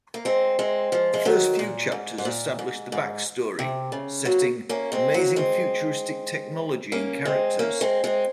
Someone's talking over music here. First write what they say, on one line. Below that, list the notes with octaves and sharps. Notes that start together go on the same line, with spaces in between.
The first few chapters establish the backstory, setting, amazing futuristic technology and characters.
A#3
G#3 C4
G#3 C4
F3 G#3
G#3
D#3 F#3
A#2
G#2
G#2
A#2
G#2
G#2
C3
C#3
F#3 A#3
A#3 C#4
G#3 C4
F#3 A#3
G#3 C4
A#3 C#4
G#3 C4
A#3 C#4
G#3 C4
G#3 C4